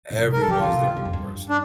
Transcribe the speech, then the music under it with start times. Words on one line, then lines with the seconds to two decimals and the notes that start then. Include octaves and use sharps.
Everyone's their own person.
0.11 A#2
0.18 D3
0.23 C3
0.32 G3 A#4
0.41 A4
0.48 F3 G4
0.59 D3 F4
0.72 C3
0.84 F2
0.97 G2
1.05 F2
1.13 G2
1.49 D4